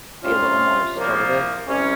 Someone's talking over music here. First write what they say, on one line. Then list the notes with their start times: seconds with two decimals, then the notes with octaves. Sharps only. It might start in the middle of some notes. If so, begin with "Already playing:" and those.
Be a little more assertive
0.23 C3 G3 C#4 F4
0.96 C2 A#2 F3 A#3
1.67 C2 C3 G3 C#4